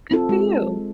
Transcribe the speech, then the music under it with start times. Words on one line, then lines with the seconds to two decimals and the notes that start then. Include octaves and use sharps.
Good for you!
0.11 C4 F4 A4
0.29 G#3